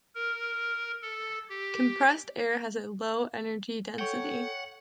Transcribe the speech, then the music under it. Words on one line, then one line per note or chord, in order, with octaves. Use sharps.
Compressed air has a low energy density.
A#4
A4
G4
A4 C#5 F#5 G5 G6